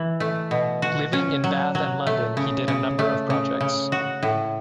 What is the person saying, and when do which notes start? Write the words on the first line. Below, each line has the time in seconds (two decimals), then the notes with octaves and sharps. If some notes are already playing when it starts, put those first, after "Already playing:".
Living in Bath and London he did a number of projects.
Already playing: E3
0.20 A3
0.51 B2
0.82 F#4
1.13 C#4
1.44 F#3
1.75 F#3
2.07 A3
2.37 C#3
2.68 C#3
2.99 A3
3.30 C#3
3.61 C#3
3.92 F#4
4.23 A2